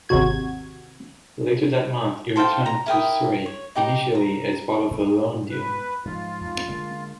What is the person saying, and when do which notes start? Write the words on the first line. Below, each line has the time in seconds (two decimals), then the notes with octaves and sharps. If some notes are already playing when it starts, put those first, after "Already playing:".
Later that month, he returned to Surrey, initially as part of a loan deal.
0.09 G#1 D#2 C3 F#4 G#6
2.36 A4 C5 F5 G5
2.66 A#5
2.86 E4 A#4 G5 D#6
3.46 C#5
3.75 D#4 G4 A#5
4.15 A#5
4.91 G#2 B3
5.50 B4
6.05 G#2 F3 F4
6.41 F2 G#2
6.68 D3 G#3 A#3